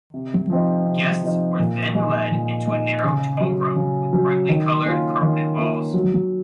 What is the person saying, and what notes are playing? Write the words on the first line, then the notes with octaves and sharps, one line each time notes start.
Guests were then led into a narrow, tall room with brightly colored carpeted walls.
C3
F3 C4 D#4
C3
F3 C4 D#4
A#2
G#3 D#4
A#2
G#3 D#4
C#3
F#3 C#4
C#3
F#3 C#4
D#3
A#3 C#4 F4
D#3
A#3 C#4 F4
F#3